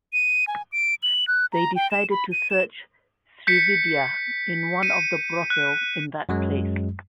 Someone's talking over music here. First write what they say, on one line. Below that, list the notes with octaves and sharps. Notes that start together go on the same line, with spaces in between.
They decided to search Srividya in one of the brothel in that place.
D#7
G#5
D7
F#7
F#6
A#5
G5
E7
B5
D#7
E7
G6 B6 C#7
C#7 D#7
F#6
F#2 F#3 G#3